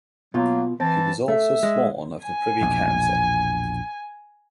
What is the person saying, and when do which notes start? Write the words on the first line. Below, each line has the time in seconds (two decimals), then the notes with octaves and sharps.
He was also sworn of the Privy Council.
0.34 B2 F#3 A#3 F4
0.80 E3 C4 A5
1.28 A3 E5
1.63 G#3
2.24 G#5
2.61 A#1 E2 B2